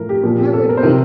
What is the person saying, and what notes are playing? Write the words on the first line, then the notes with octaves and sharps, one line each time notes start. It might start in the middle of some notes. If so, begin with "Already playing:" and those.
Why would we?
Already playing: A2 F3 A#4
G4
A#2 F3
G4
A4
A#4
C5
C3 D#3 A#4